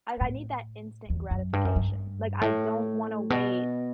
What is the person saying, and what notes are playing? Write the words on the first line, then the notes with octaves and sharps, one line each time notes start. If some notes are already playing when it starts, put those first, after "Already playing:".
like, I need that instant gratification, like, I don't wanna wait
A2
E2
F#2
G2
F#2
G2
A2
B2